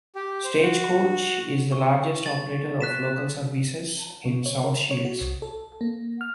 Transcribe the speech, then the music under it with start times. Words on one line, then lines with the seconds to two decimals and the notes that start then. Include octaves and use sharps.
Stagecoach is the largest operator of local services in South Shields.
0.16 G4
0.44 C5
0.62 F#4
1.72 C#6
2.26 A6
2.81 F#6 B6 E7
4.25 C#3
4.46 C#5
4.64 A#4
4.91 C#5
5.05 F#4
5.21 C2
5.42 A4
5.81 A#3
6.21 F6